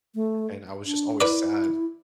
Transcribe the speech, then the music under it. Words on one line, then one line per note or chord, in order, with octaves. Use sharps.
and I was just always sad,
A3
D4
E4 B4 D5